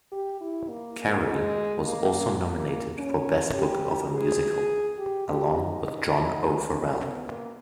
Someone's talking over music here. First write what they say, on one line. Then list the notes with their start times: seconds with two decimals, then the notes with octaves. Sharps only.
Karey was also nominated for Best Book of a Musical along with John O'Farrell.
0.12 G4
0.41 E4
0.69 A#3
1.27 G#3
1.83 A#3
2.41 A#3
2.98 C#4
3.55 G4
4.12 G#4
4.98 G4
5.26 G4
5.55 D#4
6.11 D#4
6.69 C#4
6.97 B3
7.27 A#3